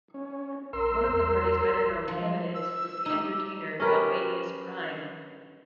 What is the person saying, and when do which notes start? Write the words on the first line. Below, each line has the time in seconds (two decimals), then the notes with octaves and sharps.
One of the party's better known candidates was the entertainer Dalvanius Prime.
0.14 C#4
0.73 A#1 A#4 C6 E6
1.08 E2
1.73 G1
2.08 F3
2.55 E6
3.06 D#4 G4
3.80 C#4 G4 A#4 B4